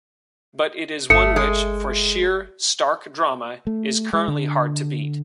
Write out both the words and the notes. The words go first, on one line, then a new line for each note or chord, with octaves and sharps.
But it is one which, for sheer, stark drama, is currently hard to beat.
G1 A3 A4 D#6 C#7
G#3
A3
G#3
D3